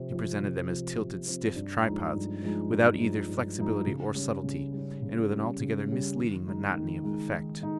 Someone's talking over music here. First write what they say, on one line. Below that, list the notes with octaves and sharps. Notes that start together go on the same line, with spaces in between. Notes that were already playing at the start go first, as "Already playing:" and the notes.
He presented them as tilted, stiff tripods, without either flexibility or subtlety, and with an altogether misleading monotony of effect.
Already playing: C3 F3 C4
F3 C4
C3
F3 C4
C3
F3 C4
G2
F3 G#3 D#4
G2
F3 G#3 D#4
G2
F3 G#3 D#4
G2
F3 G#3 D#4
C#3
G3 C#4
C#3
G3
C#4
C#3
G3 C#4
C#3
G3 C#4
D#3
G#3 D#4
D#3
G#3 D#4
D#3
G#3 D#4